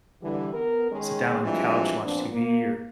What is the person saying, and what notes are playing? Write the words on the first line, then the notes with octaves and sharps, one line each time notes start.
sit down on your couch and watch TV, or
D3 E3 G3
B3 A#4
D#3 G#3 C#4 G#4
E3 F3 G3 G#3 C4 D4
A#2 F3 B3 C4 D4
A#3